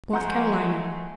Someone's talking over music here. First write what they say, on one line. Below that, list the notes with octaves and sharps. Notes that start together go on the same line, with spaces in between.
North Carolina.
F3 G#3 A3 F#5 A#5 G6